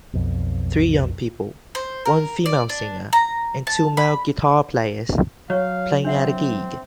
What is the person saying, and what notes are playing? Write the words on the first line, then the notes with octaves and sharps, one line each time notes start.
Three young people, one female singer and two male guitar players, playing at a gig.
B1 F2
C5
A#4
D5
D4
A#5
A5
B5
F#3 C#5 F5
C4 D4 E5 F#5